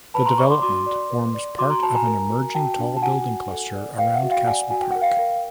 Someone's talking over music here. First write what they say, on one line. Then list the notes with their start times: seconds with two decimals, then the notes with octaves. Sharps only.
The development forms part of an emerging tall building cluster around Castle Park.
0.14 B4 A5 B5
0.26 A#5 C6
0.38 D5 B5 C#6
0.50 C6 D6
0.62 F#4 C6 D6
0.86 D5
1.10 B4
1.35 D5
1.58 F#4 C6 D6
1.70 A#5 C6
1.82 F#4 A5 B5
1.95 G#5 A#5
2.07 A#4
2.30 F#4
2.55 F#4 G5 A5
2.78 D4
2.97 A5
3.02 F#4 F#5 G#5
3.27 F#4
3.51 A4
3.75 D5
3.98 B4 F5 G5
4.14 E5 F#5
4.23 F#4
4.31 F5 G5
4.47 D5 F#5 G#5
4.71 F#4 G#5
4.81 G5
4.91 A#4 F#5
5.01 F5 G5
5.19 A#4